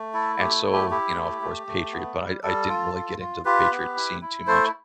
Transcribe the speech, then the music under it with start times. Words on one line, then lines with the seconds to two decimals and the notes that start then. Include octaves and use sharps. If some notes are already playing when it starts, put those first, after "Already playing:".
and so, you know, of course, Patriot, but I I didn't really get into Patriot scene too much.
Already playing: A3
0.14 E4 A4
0.39 A3 G4
0.65 E4
0.73 G4
0.90 E4 G4
1.16 A3
1.41 A3
1.67 A3
1.92 B3
2.18 G3
2.43 G3 A4
2.68 F4
2.94 F4
3.20 F4
3.45 F4 G4 B4
3.71 B3
3.96 E4
4.22 E4
4.47 A3 A4 C5